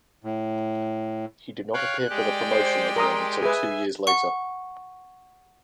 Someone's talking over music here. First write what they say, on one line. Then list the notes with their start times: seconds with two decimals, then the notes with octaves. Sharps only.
He did not appear for the promotion again until two years later.
0.24 A2
1.74 C#5 F5 G5 F#6
2.10 G#3 G4 D5 G5
2.50 C5
2.96 A#4 A#5 C6 D#6
3.42 G#4 B4 E5 G#5
4.07 F#5 C#6